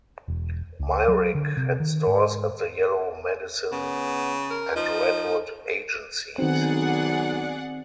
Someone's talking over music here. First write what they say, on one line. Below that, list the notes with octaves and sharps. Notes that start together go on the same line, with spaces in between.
Myrick had stores at the Yellow Medicine and Redwood Agencies.
E1
C#2
F#3
D3
C3
D#3
G#2
C#3 B3
A#4
F3 D#4
B1 D#3 C4 G#4 D5 F#5